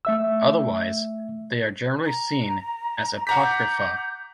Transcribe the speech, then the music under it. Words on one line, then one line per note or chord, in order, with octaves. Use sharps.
Otherwise, they are generally seen as 'apocrypha'.
A3 E5 E6
A#5
F#5 A#5 D6 G6 B6